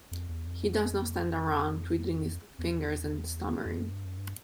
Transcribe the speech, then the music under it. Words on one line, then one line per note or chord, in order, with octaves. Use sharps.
He does not stand around, twiddling his fingers and stammering.
F2
E2
F2
E2
F2
F#2
G2
F#2
G2